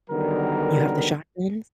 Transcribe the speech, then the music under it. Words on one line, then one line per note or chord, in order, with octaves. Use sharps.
you have the shotguns?
D3 D#3 F#3 G3 B3 A#4